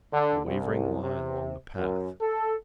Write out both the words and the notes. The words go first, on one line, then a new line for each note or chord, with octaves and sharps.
A wavering line along the path.
D3
C2
C3
F#2
A4